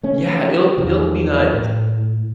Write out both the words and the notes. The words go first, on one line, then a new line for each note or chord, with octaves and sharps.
Yeah, it'll it'll be nice.
A3 C#4
E2 D#3 F3
A2